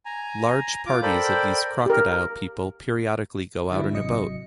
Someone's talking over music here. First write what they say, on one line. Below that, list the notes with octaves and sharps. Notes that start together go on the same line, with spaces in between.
Large parties of these crocodile people periodically go out in a boat.
G#5 A#5
F4 D6
A4 A#4 C5 D5 G5 B5
G4 A#4
D3 F#3 G3 E4
G#1 C3 F#3 D#5 C#7